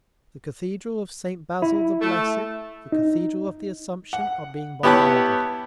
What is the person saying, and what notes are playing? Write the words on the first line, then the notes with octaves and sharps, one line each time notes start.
The Cathedral of St. Basil the Blessed, the Cathedral of the Assumption, are being bombarded.
E4
A3
D#4
F#5
B3 E4 G4 C#5 A5 F#6